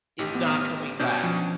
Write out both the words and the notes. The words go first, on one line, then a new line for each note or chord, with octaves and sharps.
is not coming back.
A1 G4
B3
B2 C#4 D4 G6
F3